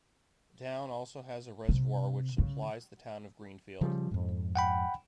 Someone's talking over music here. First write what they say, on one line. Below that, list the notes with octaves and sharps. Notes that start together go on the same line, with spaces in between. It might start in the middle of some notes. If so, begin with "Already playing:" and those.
The town also has a reservoir which supplies the town of Greenfield.
C3
C#3
C#3 F3 G3
F2 G#2
F#5 G5 B5